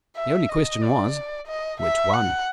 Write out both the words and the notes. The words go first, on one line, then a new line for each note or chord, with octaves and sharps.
The only question was, Which one?
E5
D#5
D5
D#5
E5
F#5